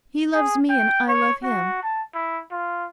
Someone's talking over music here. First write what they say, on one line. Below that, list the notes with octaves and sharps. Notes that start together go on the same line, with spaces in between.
He loves me and I love him.
G#4
G5
C#5
F#4
A5
E4
F4